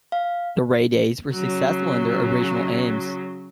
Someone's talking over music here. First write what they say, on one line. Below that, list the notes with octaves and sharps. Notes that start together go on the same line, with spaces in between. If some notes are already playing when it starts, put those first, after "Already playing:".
The Rae Days were successful in their original aims.
F5
C#3 F#3